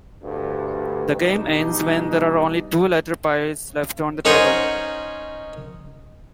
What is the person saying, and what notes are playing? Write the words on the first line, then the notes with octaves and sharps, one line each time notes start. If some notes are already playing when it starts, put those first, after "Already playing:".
The game ends when there are only two letter piles left on the table.
D2 G2
B2 G3 D4 D#4
C#4 D#4 A#4 C5 F#5 G#5